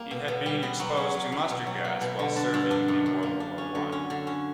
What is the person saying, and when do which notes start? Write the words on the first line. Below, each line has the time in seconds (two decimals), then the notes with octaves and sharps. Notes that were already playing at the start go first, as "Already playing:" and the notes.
He had been exposed to mustard gas while serving in World War One.
Already playing: G3 A#3
0.11 B2
0.28 B2
0.46 G3
0.63 B3
0.80 F#3
0.97 C#4
1.15 F#3
1.32 F#3
1.50 B2
1.67 F#3
1.84 A#3
2.01 B2
2.19 D3
2.36 D4
2.54 G2
2.71 D4
2.88 F#2
3.06 F#2
3.23 A#3
3.40 D4
3.58 C#4
3.75 D3
3.92 C#4
4.10 D3
4.27 C#4